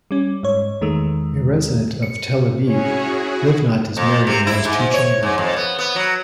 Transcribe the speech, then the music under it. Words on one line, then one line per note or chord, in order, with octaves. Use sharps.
A resident of Tel Aviv, Livnat is married and has two children.
G3 C#4
G#2 C#5
E2 D#3 G#3 A3
C#7
C#4 E4 F#4 G#4 C#5
F2
C3
E4
G#2
C#5
G#2
F2
B3
B3
F#3